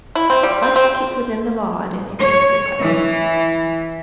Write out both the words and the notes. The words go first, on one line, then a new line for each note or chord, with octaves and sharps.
"I shall keep within the law, at any rate," said Putney.
E4
C4
G3
C4
C4
C#5
E3